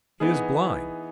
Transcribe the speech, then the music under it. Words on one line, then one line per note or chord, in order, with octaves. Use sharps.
"He is blind."
E3 B3 D#4 G#4